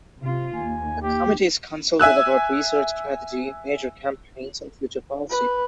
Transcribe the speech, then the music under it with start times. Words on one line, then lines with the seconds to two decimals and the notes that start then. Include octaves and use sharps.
The committee is consulted about research, strategy, major campaigns and future policy.
0.21 C3 F4
0.55 D#2 G#5
1.02 G4
1.99 E5 G#5 E6 F#6
5.31 B4